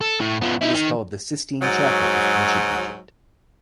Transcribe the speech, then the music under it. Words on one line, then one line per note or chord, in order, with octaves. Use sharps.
It is called the Sistine Chapel of Ancient Egypt.
A4
A2
F3 B3
D#4 E4
D#3
G#2 F#3